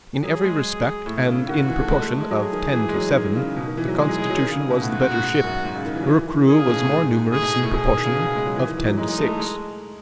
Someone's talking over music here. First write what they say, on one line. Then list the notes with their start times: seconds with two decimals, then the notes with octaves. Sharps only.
In every respect, and in proportion of ten to seven, the Constitution was the better ship; her crew was more numerous in proportion of ten to six.
0.23 F#3 G#4
0.44 G#3
1.06 A2
1.27 C#3
1.48 D#3 F#4
1.68 E3
1.81 A3
1.89 G#3
2.00 A3
2.10 A3
2.20 G#3
2.31 F#3 G#4
2.52 D#3
2.73 E3
2.88 G#3
2.94 F#3
3.14 D#3
3.35 C#3
3.56 B2
3.66 D#3
3.77 E3
3.88 F#3
3.97 G#3 G#4
4.09 F#3
4.18 G#3
4.30 F#3
4.40 D#3
4.50 C#3
4.60 C#3
4.70 B2
4.81 A2 F#4
4.91 G#2
5.01 G#2
5.12 G#2
5.23 G#2
5.44 F#2
5.64 G#2
5.75 C#3
5.85 D#3
5.95 E3
6.03 F#3
6.06 E3
6.27 D#3
6.47 D#3 G#4
6.58 C#3
6.69 B2
6.79 A2
6.89 G#2
7.11 G#2
7.31 A2 G#4
7.42 B2
7.53 B2
7.63 A2
7.73 B2 G#4
7.94 D#3
8.04 C#3
8.15 B2
8.25 C#3
8.35 G#3
8.47 F#3
8.56 E3
8.66 D#3
8.77 E3
8.87 F#3
8.98 G#3 D#4
9.08 G#3
9.18 A3
9.29 A3
9.39 G#3